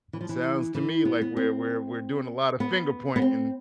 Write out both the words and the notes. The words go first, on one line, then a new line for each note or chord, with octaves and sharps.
sounds to me like we're we're we're doing a lot of finger pointing,
E3
F3
E3
E3
B3
B3
C4
B3
B3
C4